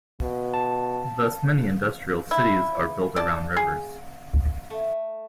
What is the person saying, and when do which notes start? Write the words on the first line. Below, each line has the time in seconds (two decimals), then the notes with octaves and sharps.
Thus many industrial cities are built around rivers.
0.21 B2
0.54 A5
2.31 E4
3.16 D5 A5
3.57 G#4
4.70 A3